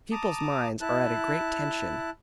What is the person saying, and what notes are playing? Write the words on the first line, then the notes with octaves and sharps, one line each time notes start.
The people's minds are at a great tension.
A5 A#5 D6 D#6
E4 A5 F#6